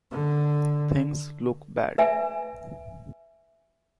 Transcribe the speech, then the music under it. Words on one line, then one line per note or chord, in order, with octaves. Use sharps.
Things look bad.
D3
B4 E5 G#5